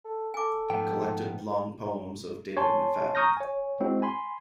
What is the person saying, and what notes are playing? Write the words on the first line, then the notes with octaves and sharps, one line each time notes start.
Collected Long Poems of David McFadden.
A4
A4 G#5 D6
G#2 F3 A3 B3 D#4 G5
C#5 G#5 A5 C6
A#5 C#6 D#6 F6 G6 A#6
C#5 G#5
G#3 C4 E4 F#4
G#5 B5 C6